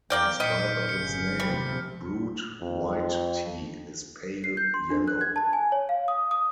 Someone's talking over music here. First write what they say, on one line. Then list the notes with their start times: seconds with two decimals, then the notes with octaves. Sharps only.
In spite of its name, brewed white tea is pale yellow.
0.10 E2 A#3 D5 G5 F6 G6
0.40 A#2 D#5 G5 F6 B6 C#7
0.89 G1 C#3 C#7
1.40 C3 F3 G3
2.61 F2
4.44 C7
4.57 G6
4.74 C6
4.90 D4
5.08 F#6
5.21 G#6
5.36 A5
5.53 G#5
5.72 C#5
5.89 F5
6.08 D#6
6.31 D#6